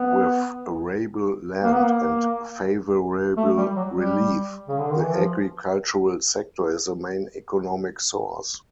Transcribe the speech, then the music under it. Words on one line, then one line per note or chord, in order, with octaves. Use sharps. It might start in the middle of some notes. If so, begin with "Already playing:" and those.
With arable land and favourable relief, the agricultural sector is the main economic source.
Already playing: B3
A#3
B3
A#3
A3
G3
F#3
G3
C#3
D3
D#3
E3
F3